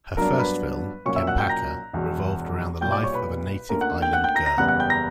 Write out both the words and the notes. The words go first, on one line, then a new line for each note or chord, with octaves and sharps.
Her first film, "Cempaka", revolved around the life of a native island girl.
G2 F#3 B3 D4 A#4 A#5
B4 B5
B1 A#2 F#3 A#3 C#4 C#5 C#6
E5 E6
F#5 F#6
G5 G6
A#5 A#6
E1 E2 B2
B1 A#2 G3 G5 G6
D5 D6
C#5 C#6
B4 B5
D2 D3 A#3 C#4 A#4 A#5
F#5 F#6
G5 G6
F#5 F#6
G5 G6
A#5 A#6
A#5 A#6
F#1 E2 C#3 G3 B3 F#5 F#6
F#5 F#6
G5 G6
A#5 A#6